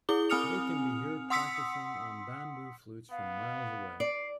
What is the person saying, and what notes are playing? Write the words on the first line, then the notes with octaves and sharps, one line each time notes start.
They can be heard practicing on bamboo flutes from miles away.
E4 G#4 D6 G7
C4 G#5 D#6 F6 C#7 F7
F#5 C6 D#6 E6 B6 C#7
B3 F5
D5 C7